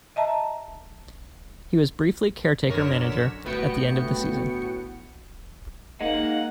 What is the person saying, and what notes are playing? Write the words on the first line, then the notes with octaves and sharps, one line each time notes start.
He was briefly caretaker manager at the end of the season.
D#5 E5 A5 A#5
F#2 D3 A#4 C#5 B6 E7
G1 A2 B3 F#4 G5 C#7
G#3 A#3 D#4 F#5